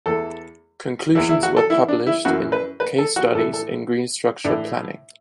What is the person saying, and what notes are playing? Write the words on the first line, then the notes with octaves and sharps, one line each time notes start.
Conclusions were published in "Case studies in Greenstructure Planning".
E2 E3 A4
E2 E3 E4
E4
F#4
A4
E4
D4
E4
F#2 E3 F#4
B4
B4
A4
F#4
A2 E3 A4
A4
A2 E3 D4